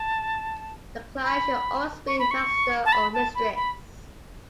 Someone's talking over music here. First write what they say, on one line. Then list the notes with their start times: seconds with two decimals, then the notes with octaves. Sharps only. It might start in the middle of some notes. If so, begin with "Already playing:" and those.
The client should always be master or mistress.
Already playing: A5
1.24 B5
2.07 C#6
2.19 B5
2.31 C#6
2.85 A5
2.93 B5
3.14 A5
3.35 B5
3.56 B5